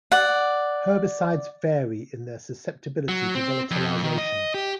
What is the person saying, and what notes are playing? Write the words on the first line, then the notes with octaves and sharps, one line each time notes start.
Herbicides vary in their susceptibility to volatilisation.
D5 F#5
F#3
C4
F2
D#3
D#5
G4